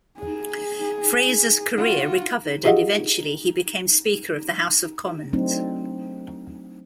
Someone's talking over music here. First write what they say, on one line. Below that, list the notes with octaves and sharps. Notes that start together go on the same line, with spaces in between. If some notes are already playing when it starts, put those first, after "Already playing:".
Fraser's career recovered and eventually he became Speaker of the House of Commons.
G#4
F4 F#4
F4 G4 G#4 D#5 F5 F#5
F#3 A3 C4 D4 D#4